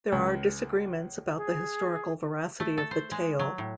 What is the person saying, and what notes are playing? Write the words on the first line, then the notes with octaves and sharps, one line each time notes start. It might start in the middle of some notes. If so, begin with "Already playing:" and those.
There are disagreements about the historical veracity of the tale.
C#2
G#4
A3
A4
C5
G#3
F#3
A2